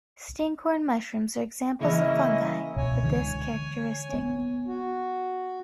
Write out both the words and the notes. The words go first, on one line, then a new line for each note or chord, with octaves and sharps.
Stinkhorn mushrooms are examples of fungi with this characteristic.
C#3 E3 A#3 C#4 E4 D#5
C#2 B2 C#5 G#5
D3 E3 G#3
B3
F#4